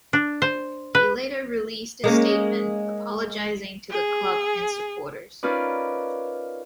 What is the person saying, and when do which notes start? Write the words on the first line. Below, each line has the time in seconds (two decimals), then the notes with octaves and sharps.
He later released a statement apologising to the club and supporters.
0.13 D4
0.42 C5
0.95 B4
2.04 G#3 A#3 C#4
3.90 G#4
5.43 C#4 D#4 F4 A#4 B4 D5